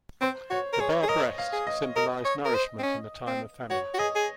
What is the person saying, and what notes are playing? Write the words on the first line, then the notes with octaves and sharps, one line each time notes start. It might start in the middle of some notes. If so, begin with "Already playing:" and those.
The bare breast symbolized nourishment in a time of famine.
C4 C5
F#4 C#5
A#4
G#4 C#5
G#4
A#4 D#5
F5
G#4
D#5
A#4 D#5
C#5
A#4
C5
C4
C#4
C4
F#4 C#5
F#4
G#4 D#5
G#4